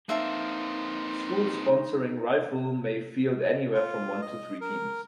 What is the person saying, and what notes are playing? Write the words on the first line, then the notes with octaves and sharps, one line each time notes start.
Schools sponsoring rifle may field anywhere from one to three teams.
A#3 C4 D#4 E5 F5 A5 C6
F4
D#5
A#4